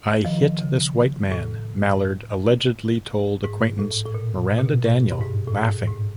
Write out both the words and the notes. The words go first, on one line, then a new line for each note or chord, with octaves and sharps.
"I hit this white man," Mallard allegedly told acquaintance Maranda Daniel, laughing.
D#3 F3
C#3
A2
G#2
A2
A2
A#2
B2
A#2
B2
A2
G2
G#2
A2
G#2
G#2